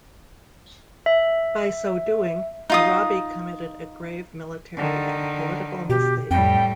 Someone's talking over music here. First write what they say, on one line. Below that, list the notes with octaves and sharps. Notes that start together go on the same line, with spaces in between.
By so doing, Urabi committed a grave military and political mistake.
E5
D#4 F4 D#6
D3 D#3
B2 G4
F2 A2 G3 G5